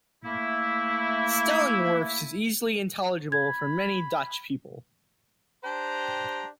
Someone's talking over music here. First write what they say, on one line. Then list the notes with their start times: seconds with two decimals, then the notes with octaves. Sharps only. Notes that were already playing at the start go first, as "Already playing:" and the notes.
Stellingwarfs is easily intelligible for many Dutch people.
0.24 A3 A#3 E4
3.32 B5 G#6
5.64 D4 G4 C5 G5 A#5